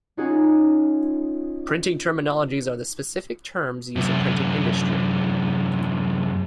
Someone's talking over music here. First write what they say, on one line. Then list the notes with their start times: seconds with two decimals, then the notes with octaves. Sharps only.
Printing terminologies are the specific terms used in printing industry.
0.17 C#4 D#4 F4 F#4 G#4
3.96 F#2 C3